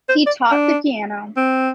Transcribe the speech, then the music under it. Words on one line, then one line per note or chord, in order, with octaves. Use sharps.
He taught the piano.
C5
D5
D4
C4